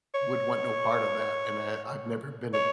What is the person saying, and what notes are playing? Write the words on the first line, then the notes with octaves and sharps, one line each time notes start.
would want no part of that, and I I've never been a
C#5
C#5